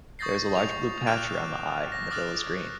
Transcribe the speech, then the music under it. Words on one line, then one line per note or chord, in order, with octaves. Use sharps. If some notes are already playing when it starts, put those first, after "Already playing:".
There is a large blue patch around the eye and the bill is green.
C#6 D#6 G6 A6 A#6 C7
F7
D6 F6 F#6 A6 D7 E7
A#6
D6 D#6 F6 F#6 A6